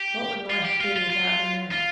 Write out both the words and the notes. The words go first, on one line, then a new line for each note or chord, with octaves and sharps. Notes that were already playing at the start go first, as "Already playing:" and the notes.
What would life be without her now?
Already playing: G4
F4
G4
F4
F4
F4
F4